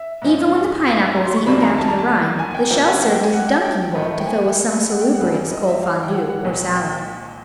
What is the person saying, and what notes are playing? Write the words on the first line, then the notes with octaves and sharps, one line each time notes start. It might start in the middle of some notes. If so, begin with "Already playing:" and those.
Even when the Pineapple was eaten down to the rind the shell served as a dunking bowl to fill with some salubrious cold Fondue or salad.
Already playing: E5
G#2 F3 G#3
A#5
C6
C#6
F#2 D#3 G3 A#3 D4 B5
A#5
A5
A#5
A5
G#5
G#5
G5
C3 F3 A#3 G5
F#5
F#5
G5
G#5
F#5
G5
G5
A2 F3 A3
G5
G#5
F#5
G5
F#5
G2 E3 G3
D#5
E5
F5
G5
F#5
F#5
C2 A#2 F3 G#3
G5